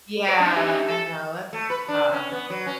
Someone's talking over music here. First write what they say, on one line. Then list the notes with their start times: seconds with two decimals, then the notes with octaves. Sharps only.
Yeah, I know, that's tough.
0.29 C5 D5
0.41 D4 D#4
0.56 G4 E5 G#5
0.90 A4
1.53 A3
1.70 B4
1.88 D4
2.13 C#4
2.32 B3
2.50 F#3
2.66 C#4